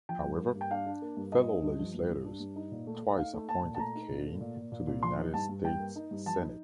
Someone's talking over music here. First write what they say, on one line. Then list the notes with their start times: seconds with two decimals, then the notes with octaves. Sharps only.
However, fellow legislators twice appointed Kane to the United States Senate.
0.09 F3 G5
0.25 G2
0.40 A#3
0.55 G2
0.61 G5
0.71 D4 F5
0.86 D4
1.02 A#3
1.17 G2
1.32 A#3 D#5
1.48 D4
1.64 G2
1.79 F3
1.94 G2
2.10 G2
2.25 D4
2.40 G2
2.56 D#4
2.72 A#2
2.87 A3
3.02 A3
3.17 D#4 F5
3.33 A3
3.48 A3 A5
3.64 A#2
3.75 A5
3.79 A3 A#5
3.95 D#4
4.10 A#2
4.26 A3
4.41 A#2
4.56 A#2
4.72 A#2
4.87 A#2
5.03 F3 C6
5.18 D#4
5.34 G2 A5
5.49 G2
5.65 G2 G5
5.80 A#3
5.96 D#4
6.11 G2
6.26 F3 A5
6.42 D#4